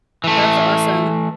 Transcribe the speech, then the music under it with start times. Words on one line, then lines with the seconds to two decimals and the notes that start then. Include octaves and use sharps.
that's awesome.
0.24 E3 A3